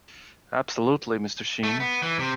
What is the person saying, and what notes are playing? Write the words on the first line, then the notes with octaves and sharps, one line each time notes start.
Absolutely, Mister Shean!
A3
B3
E3
C3